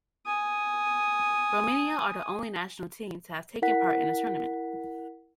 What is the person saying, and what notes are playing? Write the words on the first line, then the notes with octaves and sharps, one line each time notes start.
Romania are the only national team to have taken part in the tournament.
G#5 D#6
E4 A#4 F#5 B6